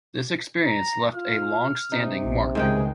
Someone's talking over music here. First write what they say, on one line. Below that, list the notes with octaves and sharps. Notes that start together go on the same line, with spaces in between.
This experience left a longstanding mark.
A#5
F4 F6
C3 D#4
A#1
C#2 G#2 D#3 G#3 G#4 G5